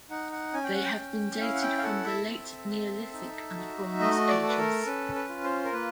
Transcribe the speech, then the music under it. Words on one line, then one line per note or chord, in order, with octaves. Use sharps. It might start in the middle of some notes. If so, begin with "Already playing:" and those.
They have been dated from the late Neolithic and Bronze Ages.
D#4 F#5
F#5
C#4 G#5
G5
F#5
G5
C#4
E4 F5
F#5
G5
F5
A4 F#5
E5
C4
A4
D#4
F#4
A3 D#5
D5
A4
B4
A#4
C#4 B4
B4
F4
C5
A#4
A#3 B4